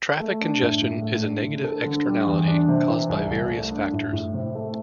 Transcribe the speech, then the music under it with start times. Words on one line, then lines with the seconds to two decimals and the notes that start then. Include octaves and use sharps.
Traffic congestion is a negative externality caused by various factors.
0.20 A3
0.41 D4
0.62 A2
0.82 A2
1.02 A3
1.23 D4
1.44 D3
1.64 A4
1.86 D3
2.07 G3
2.26 E2
2.47 D4
2.69 C3
2.89 E3
3.09 C2
3.30 C2
3.51 A3
3.72 D4
3.93 A2
4.13 A2
4.34 C3
4.55 A3